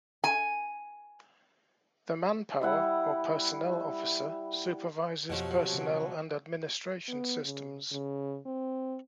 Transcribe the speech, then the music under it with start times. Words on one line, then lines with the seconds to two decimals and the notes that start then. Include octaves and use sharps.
The manpower or personnel officer supervises personnel and administration systems.
0.24 G#5
2.61 G3 E4 F#5
5.30 F2 B2 F3 F#3 G4
5.72 C#3 C4
7.08 B3
7.45 C#3
7.92 C#3
8.46 C4